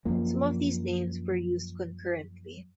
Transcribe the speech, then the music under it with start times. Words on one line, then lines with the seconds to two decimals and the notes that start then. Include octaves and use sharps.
Some of these names were used concurrently.
0.05 F#2 F3 A#3